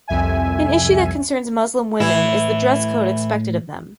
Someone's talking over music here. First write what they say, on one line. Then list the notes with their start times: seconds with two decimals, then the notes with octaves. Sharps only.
An issue that concerns Muslim women is the dress code expected of them.
0.08 C2 F2 E5 G#5
2.00 A2 E3 E4